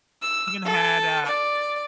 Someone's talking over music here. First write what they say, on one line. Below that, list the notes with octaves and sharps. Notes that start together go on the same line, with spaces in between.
even had a
E6
A4
D5